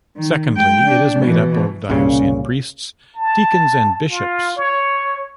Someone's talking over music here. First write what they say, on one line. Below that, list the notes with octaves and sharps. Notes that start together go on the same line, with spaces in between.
Secondly, it is made up of diocesan priests, deacons, and bishops.
D#3
G#3 G5
D4
B2 E3
C2 A#2 C#3 C#4
A5
F4
C#5